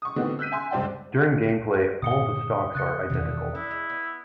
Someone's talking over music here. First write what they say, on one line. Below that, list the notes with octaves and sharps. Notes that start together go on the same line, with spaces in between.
During gameplay all the stocks are identical.
C#6 D#6
A2 D3 B3 C4 D#4 F#4
E6 F#6 G6 B6 D#7
E5 G#5 C6
C#2 G2 C5 D5 G5
G2 A#2 D3 D#6 C#7 G7
C#3 F#6 A6 C#7
E2 B2 D3 D#3 A3
C#4 D4 E4
G#3
B3